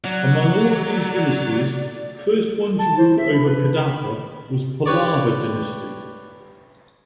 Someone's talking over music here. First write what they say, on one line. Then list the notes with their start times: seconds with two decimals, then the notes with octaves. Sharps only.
Among all of these dynasties, first one to rule over Kadapa was Pallava dynasty.
0.05 F#3 D5
2.78 A5
2.97 C5
3.17 E5
3.33 B5
3.45 B4
3.74 B5
4.86 G4 B4 C#5 D5